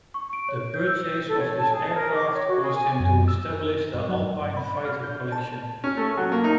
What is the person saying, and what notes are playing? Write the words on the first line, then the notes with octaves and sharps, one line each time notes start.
The purchase of this aircraft caused him to establish the Alpine Fighter Collection.
C#6
D7
C#5
G6
E6
A4
C#5
A5
G#4
A#4
D6
C#5
F#4
G#4
G#5
F#2
E6
A#4
G2
F#3
G2
B5
F6
G6
A5
C#4
A3
F#3
A#3
D#4